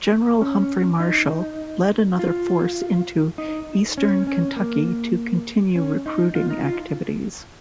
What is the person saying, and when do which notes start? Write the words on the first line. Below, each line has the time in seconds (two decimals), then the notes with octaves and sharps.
General Humphrey Marshall led another force into Eastern Kentucky to continue recruiting activities.
0.41 C#4
1.00 D#4
2.19 F4
3.38 D#4
3.98 C#4
4.27 C#4
4.56 A#3
5.76 C#4
6.06 D#4
6.35 F4
6.50 D#4
6.65 F4